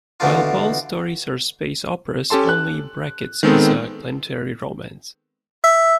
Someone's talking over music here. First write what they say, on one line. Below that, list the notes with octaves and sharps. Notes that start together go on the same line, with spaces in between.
While both stories are space operas, only Brackett's is a planetary romance.
B2 D3 E3 A3 D4 F4
C#4 G4 A4 A5 C6
F#6
D#3 G#3 B3 C4 A4
E5